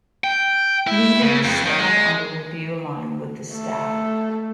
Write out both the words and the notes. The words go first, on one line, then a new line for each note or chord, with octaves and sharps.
Leaders stand on the review line with the staff.
G5
E4
C#3
F2
D#3
G#3
A3